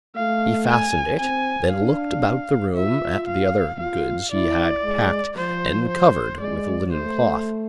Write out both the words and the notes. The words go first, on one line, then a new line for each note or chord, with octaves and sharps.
He fastened it, then looked about the room at the other goods he had packed and covered with a linen cloth.
A3 F5
G#5
C4 G#5
D4 F5
F4 E5
F5
F4 F5
E4 D5
G#3
F3 C5
C5
G#3 D5
A3 C5